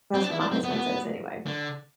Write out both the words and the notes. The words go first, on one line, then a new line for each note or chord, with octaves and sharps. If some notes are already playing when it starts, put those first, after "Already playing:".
that's what my husband says anyway-
C4
D4
E4
D4
C4
B3
A3
B3
D3